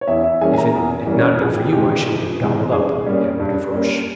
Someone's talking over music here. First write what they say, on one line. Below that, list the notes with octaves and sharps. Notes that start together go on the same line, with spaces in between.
"If it had not been for you, I should have been gobbled up!" added Gavroche.
C#5
E2 E4 E5
E4 E5
E3 G3 A#3 C#4 G#4 G#5
G#5
A#4 A#5
E2
E3 G3 A#3 C#4
C#4 C#5
F2 G#4
G4
C3 E3 G#3 G4
G#4
F2
C3 E3 G#3
G2 G#4
G3 A#3 C#4
G2
G3 A#3 C#4